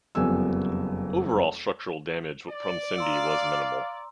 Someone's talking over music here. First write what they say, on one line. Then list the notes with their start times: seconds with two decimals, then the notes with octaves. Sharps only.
Overall structural damage from Cindy was minimal.
0.15 F#1 F2 G3 B3 G#5 E6
2.49 D5
2.98 F5 A#5 C6 E6